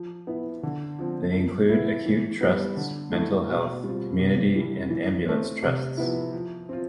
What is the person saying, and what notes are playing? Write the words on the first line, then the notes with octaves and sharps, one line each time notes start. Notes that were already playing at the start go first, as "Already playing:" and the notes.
They include acute trusts, mental health, community and ambulance trusts.
Already playing: F3
B3 E4
D3
F3 C4
F3
B3 E4
E3
G3 B3
D3
A3 E4
B2
G3 C4 F4
C3
E3 G3
E3
A3 C4
C3
F3 B3 E4
F3
C4 F4